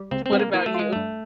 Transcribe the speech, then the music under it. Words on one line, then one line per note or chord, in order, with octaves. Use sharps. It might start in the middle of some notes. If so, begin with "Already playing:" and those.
What about you?
Already playing: G3
C#2 C4
C4
C3 B3
A#3
E3 A#3
A3
G#3 F4
G2 A3